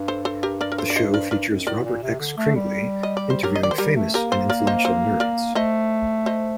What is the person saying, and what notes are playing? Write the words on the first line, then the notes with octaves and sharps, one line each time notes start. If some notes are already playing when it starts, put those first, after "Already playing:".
The show features Robert X. Cringely interviewing famous and influential nerds.
Already playing: G2
A4 C5
A4 C5
G4 A#4
A#4 D5
A#4
A4 C5
D5
C5 D#5
A#4 D5
G2 A#4 D5
F#2
A2 A#4 D5
A#2
C3
D3
A3
G3
D#5
D5
C5
F#3 G4 A#4
D#5
D#3 D5
C5
G3 G4 A#4
A3
A#3 G4 A#4
A4 C5
A#4 D5
C5 D#5
A4 C5
A#4 D5
A3 C5 D#5
C5 D#5